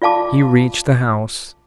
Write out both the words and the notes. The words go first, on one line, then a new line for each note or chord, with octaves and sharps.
He reached the house.
F4 D5 F5 A5 D6